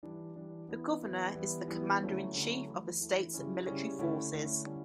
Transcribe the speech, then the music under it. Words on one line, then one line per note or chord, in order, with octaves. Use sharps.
The governor is the commander-in-chief of the state's military forces.
E3 G3 D4
E3 G3 D4
E3 B3 E4
E3 B3 E4
E3 G3 B3 E4
E3 G3 B3 E4
D3 F#3 A3 C#4 E4
D3 F#3 A3 C#4 E4
E3 A3 E4
E3 A3 E4
C#3 G3 C#4 E4
C#3 G3 C#4 E4
D3 A3 C#4 E4
D3 A3 C#4 E4
D3 G3 C#4 E4